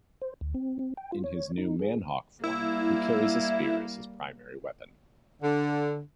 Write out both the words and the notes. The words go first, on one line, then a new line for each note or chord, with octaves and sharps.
In his new man-hawk form, he carries a spear as his primary weapon.
C5
D2
C4
C4
G5
F4
C#5
D#4
G#4
G3 A#3 E4
D3